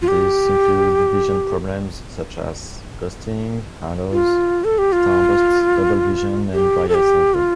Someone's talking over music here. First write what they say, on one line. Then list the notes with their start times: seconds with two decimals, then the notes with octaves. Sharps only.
These include vision problems such as ghosting, halos, starbursts, double-vision, and dry-eye syndrome.
0.02 F4
0.08 G4
4.12 F4
4.64 A4
4.78 G4
4.92 F4
6.53 G4
6.89 A4
6.94 G4
7.34 F4